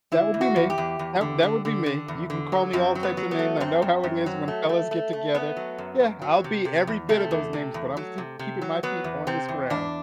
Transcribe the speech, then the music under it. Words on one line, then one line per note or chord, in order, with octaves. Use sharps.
That would be me. That that would be me. You can call me all types of names, I know how it is when fellas get together. Yeah, I'll be every bit of those names, but I'm see keeping my feet on this ground.
D3 E4
E2
F#4
E2
G4
E2
E2
D3
D3
D3
D3
E2
D3
F#3
F#2 C4
F#3
B3
F#3
B3
A3
F#2 C4
F#2
F#2
F#3
A3
A3
A3
A3
A3 B3
F#3
F#2
F#2
F#3
C3
C3
E2
C3 A3
E2
C3
E2
F#3
C3
C3
F#3
F#3 B3
E2
C3 C4
E2
E2 D4